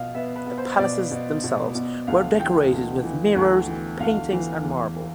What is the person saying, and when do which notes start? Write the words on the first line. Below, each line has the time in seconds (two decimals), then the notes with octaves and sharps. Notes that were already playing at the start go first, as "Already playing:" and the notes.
The palaces themselves were decorated with mirrors, paintings and marble.
Already playing: B2 B3 F5
0.15 B3 E5
0.36 B4
0.47 B3
0.58 C5
0.79 B2 D5
1.11 B2
1.44 B2
1.75 B2
2.07 D2 F5
2.40 E3 G5
2.72 D2
3.04 E3
3.36 D2
3.68 E3
4.00 D2 F5
4.32 E3
4.64 E2